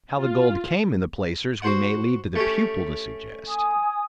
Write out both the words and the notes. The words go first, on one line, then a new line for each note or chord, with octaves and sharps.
How the gold came in the placers we may leave the pupil to suggest.
F4
F#4 C5 F#5
A3 C#4 G4
G#5 D#6